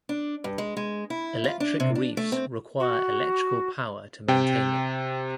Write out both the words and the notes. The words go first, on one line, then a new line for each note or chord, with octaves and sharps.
Electric reefs require electrical power to maintain them.
D4
G2
G#3
G#3
E4
F4
D4
C3
D4
A3
C4
F#4
C3 G5